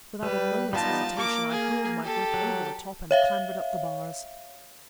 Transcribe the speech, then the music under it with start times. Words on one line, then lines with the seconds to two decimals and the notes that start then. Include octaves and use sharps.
Without a moment's hesitation I hurled my grip over the top and clambered up the bars!
0.23 G3 B4
0.73 G3 B3 D#4 F4 A5
1.18 A#3 D6
1.50 G#4
2.03 G4 A4
2.34 F#3
3.11 C#5 E5 F5